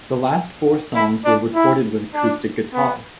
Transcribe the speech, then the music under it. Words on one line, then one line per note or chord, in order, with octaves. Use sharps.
The last four songs were recorded with acoustic guitars.
E4
D4
E4
D4
B3